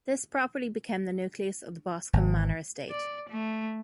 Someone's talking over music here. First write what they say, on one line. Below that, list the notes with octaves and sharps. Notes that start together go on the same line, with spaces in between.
This property became the nucleus of the Boscombe Manor Estate.
G#1
D5
A3